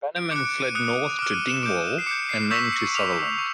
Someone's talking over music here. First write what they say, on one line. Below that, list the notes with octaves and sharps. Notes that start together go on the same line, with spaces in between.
Bannerman fled north to Dingwall and then to Sutherland.
D7
D6 F#6 C#7
D7
D#7
D#6 F#6 C#7
D6 F6 D7
D#7
E7
D6 G6 D7
C7
D6 G6 C#7
C7
C#6 E6 G6 B6
C#7
D6 F6 F7
C#6